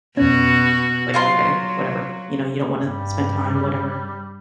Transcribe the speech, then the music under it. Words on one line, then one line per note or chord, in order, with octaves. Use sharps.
like, "Okay, whatever. You know, you don't wanna spend time? Whatever."
F2 B2 C#4 F#4
F#3 F4 F5 C6
G2 G3